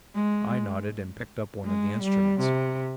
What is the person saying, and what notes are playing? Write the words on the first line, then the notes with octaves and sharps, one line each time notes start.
I nodded, and picked up one of the instruments.
G#3
G#3
G3
C3